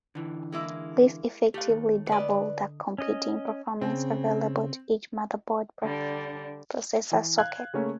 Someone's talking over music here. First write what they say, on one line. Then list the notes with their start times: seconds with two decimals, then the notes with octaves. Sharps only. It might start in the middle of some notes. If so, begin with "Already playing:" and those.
This effectively doubled the computing performance available to each motherboard processor socket.
0.15 D3 E3
0.52 G#3 A#3 E4
1.54 A3 G4 F5
1.69 D#2
2.08 D3 B4 D5 D#5
2.98 C#4 D#5
3.81 C#3 C4
5.83 D3 G3 D4
7.11 E3
7.38 F5 F#6 G#6
7.74 C#3 A3 A#3 C#4